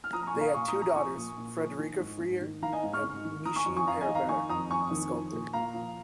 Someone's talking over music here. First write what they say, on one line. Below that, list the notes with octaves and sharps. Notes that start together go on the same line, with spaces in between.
They had two daughters, Frederica Freer and Michie Herbert, a sculptor.
F6
F3 A#5 D#6
A#5
G#5 C#6
A#2
F5 A#5
A#2 G#5 C#6
A#5 D#6
F3
A#5 D#6
F3 G#5 C#6
A#2
A#2
F3
D#3
G#2
G#2
D#3
D#3 F5 A#5
D#5 G#5
G#2
C#6 F6
G#2
D#3
D#3 A#5 D#6
G#5 C#6
F2
G#5 C#6
F2 F5 A#5
D#5 G#5
D#3
F5 A#5
D#3 G#5 C#6
F2 A#5 D#6
F2 G#5 C#6
D#3
F3
A#2
A#2 F5 A#5
F3